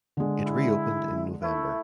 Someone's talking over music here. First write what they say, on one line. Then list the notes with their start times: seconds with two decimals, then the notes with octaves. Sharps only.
It reopened in November.
0.17 D3 G#3
0.46 E4
1.42 A3 E4